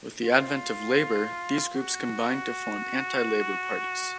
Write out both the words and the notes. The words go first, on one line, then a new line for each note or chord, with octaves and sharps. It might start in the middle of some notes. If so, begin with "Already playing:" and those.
With the advent of Labor, these groups combined to form anti-Labor parties.
F4
F#4